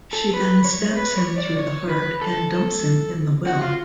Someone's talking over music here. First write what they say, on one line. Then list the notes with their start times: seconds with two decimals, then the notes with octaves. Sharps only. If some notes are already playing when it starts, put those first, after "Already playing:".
She then stabs him through the heart and dumps him in the well.
0.13 A4
0.34 B4
0.65 C#5
0.97 B4
1.18 C#5
1.38 D5
1.59 C#5
1.89 B4
2.21 A4
3.47 F#4
3.62 F4